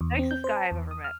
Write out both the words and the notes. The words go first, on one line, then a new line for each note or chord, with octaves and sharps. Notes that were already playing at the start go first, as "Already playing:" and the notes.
Nicest guy I've ever met.
E2
C4
G6
C5
A5
E2
D#6
F6